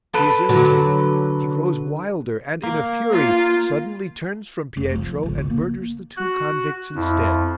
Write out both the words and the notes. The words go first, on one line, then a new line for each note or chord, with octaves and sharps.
He is irritated, he grows wilder and, in a fury, suddenly turns from Pietro and murders the two convicts instead.
A4 B4
D3 F#3
A#3
F4
F1
F3
G#1 C#2
D3
A#3
F#4 F#6
F2 E4